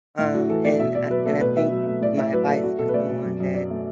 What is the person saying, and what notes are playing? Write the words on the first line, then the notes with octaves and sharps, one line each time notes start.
Um, and I and I think my advice for someone that,
A2 E4
A2 F#4
E3 A4
A3 D5
B2 E5
B2 D5
F#3 B4
A3 A4
B2 B4
B2 E5
F#3
A3
A2 D5
A2 E5
F#3 B4
A3 A4
A3 F#4
B2 A4
B4
A3 D5
B2
F#2
F#2
F#3 D5
A3